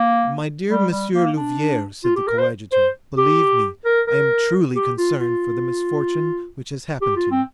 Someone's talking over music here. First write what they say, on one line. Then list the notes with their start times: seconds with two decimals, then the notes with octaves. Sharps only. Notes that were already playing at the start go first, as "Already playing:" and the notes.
"My dear Monsieur Louvieres," said the coadjutor, "believe me, I am truly concerned for the misfortune which has happened to you."
Already playing: A#3
0.69 G3
0.91 G3
1.13 A#3
1.37 D4
2.04 F4
2.16 G4
2.27 A#4
2.38 C5
2.72 C5
3.17 G4
3.85 A#4
4.07 A#4
4.76 G4
4.98 F4
5.21 F4
7.02 G4
7.16 F4
7.31 C4